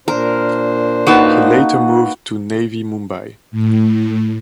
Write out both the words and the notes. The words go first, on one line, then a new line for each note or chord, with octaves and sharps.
He later moved to Navi Mumbai.
A#2 D4 A#4 C5
A#3 D#4 F#4 B4 F#5 A5
A2